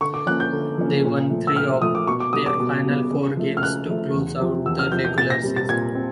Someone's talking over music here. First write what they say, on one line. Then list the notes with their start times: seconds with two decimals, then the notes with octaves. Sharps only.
They won three of their final four games to close out the regular season.
0.01 D3 C#6
0.14 D6
0.26 F3 A#3 C#4 F#6
0.40 G6
0.53 D3
0.78 F3 A#3 C#4
1.05 A#2
1.30 F3 A3
1.47 E6
1.56 A#2 F6
1.82 F3 A3 D#6
1.95 D6
2.07 B2 C#6
2.20 D6
2.33 G3 B3 D#6
2.46 D6
2.60 B2
2.85 G3 B3
3.11 C#3
3.37 F3 A3
3.57 F6
3.63 C#3 F#6
3.89 F3 A3
4.14 E2
4.40 C3 F3
4.66 E2 E6
4.79 F6
4.92 C3 F3 G6
5.05 G6
5.18 A#2 A6
5.30 A#6
5.43 G3 C4
5.56 A6
5.69 A#2 G#6
5.95 C4